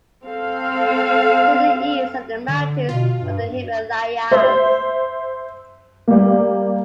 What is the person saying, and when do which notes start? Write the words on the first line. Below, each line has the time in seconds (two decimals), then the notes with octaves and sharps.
To the east are the mountains of the Himalayas.
0.23 C4 A4 F5
2.48 D3
2.89 B2 F4
3.17 G2
4.31 C5 E5
6.08 G3 A#3